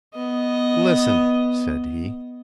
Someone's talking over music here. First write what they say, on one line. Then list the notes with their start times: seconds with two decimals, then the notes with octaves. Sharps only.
"Listen," said he.
0.14 B3 D#5